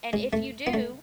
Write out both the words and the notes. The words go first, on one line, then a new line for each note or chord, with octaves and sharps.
and if you do,
G#3
A3
B3
A3